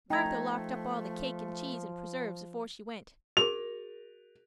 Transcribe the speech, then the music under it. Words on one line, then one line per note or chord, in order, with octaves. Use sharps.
Martha locked up all the cake and cheese and preserves afore she went.
F3 A3 D#4 G5 A#5 G#6
F#4 G#4 A#4 F7